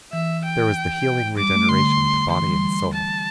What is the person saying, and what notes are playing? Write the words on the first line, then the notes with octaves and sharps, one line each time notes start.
There was the healing regeneration to body and soul.
E3 E5
G5
G3 D6
A3
D3 C6
E3 C6
G3
A5